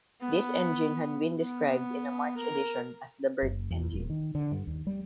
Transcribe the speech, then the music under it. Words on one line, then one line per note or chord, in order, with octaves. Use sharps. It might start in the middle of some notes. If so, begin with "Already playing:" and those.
This engine had been described in the March edition as the 'Burt' engine.
B3
B3
A#4
F#1
E2
D#1
D#3
D3
G2
D#2
G3